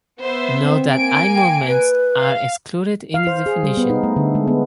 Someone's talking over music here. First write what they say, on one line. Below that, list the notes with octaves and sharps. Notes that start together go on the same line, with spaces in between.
Note that eye movements are excluded in the definition.
B3 C5 E5
C4
A#3 G#5 D7
G5
B4
F5
F5
C5
G#4
G3
B3
D#4
A3
D3
G#3
B3